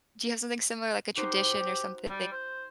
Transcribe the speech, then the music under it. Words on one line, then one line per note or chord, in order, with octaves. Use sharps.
do you have something similar, like, a tradition or something
D#4 F#4 G4 C5
G3
C5